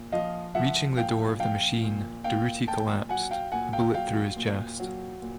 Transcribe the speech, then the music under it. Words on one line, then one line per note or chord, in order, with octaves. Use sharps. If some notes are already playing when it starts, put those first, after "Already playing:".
Reaching the door of the machine, Durruti collapsed, a bullet through his chest.
Already playing: A#2
F3 D#5 F5
F3 E5 F#5
A#2 F5 G5
F3 F5 G5
A#2
A#2 F5 G5
A#2 G5 A5
F#3 F#5 G#5
F5 G5
A#2 F#5 G#5
F5 G5
F#3 F5 G5
A#2
F#3
A#2